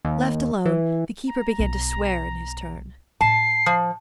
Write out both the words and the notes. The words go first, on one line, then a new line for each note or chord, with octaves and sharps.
Left alone, the keeper began to swear in his turn.
D#2
E3
A#5
B1 F4
A2 A5 C7
F3